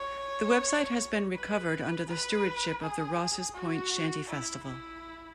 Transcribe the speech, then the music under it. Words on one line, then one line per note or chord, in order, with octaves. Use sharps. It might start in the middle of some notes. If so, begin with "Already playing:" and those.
The website has been recovered under the stewardship of the Rosses Point Shanty Festival.
Already playing: C#5
B4
B4
G#4
F#4
E4
E4